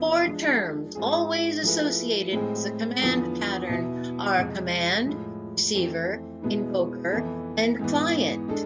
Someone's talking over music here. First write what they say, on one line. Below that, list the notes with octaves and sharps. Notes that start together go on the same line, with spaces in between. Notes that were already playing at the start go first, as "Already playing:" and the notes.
Four terms always associated with the command pattern are "command", "receiver", "invoker" and "client".
Already playing: E2 C3 F3 B3 E4
F3 G#3 D4
G#2 G#3 C4 F4 G#4
F3 A3 E4 G#4 B4
A2 G#3 C4 G#4
E2 D3 F3 B3
B2 B3 E4
F2 C3 G#3
A2 F3 G#3
F2 E3 A3 C4
B2 G#3 B3 E4
F2 E3 B3 E4 A4
G#2 E3 B3
G#3 D4 A4